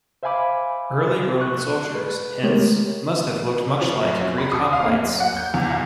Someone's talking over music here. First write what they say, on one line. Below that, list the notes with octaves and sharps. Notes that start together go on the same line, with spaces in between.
Early Roman soldiers hence must have looked much like Greek hoplites.
C5 E5 F5 G#5 B5 D6
C#6 F#6
B4
G#3 A3 B3 G4 A#4 C#5
F3
F#2
C#4
B5
D#6
F5
A#3
F#2
F#5
G6
E2
B1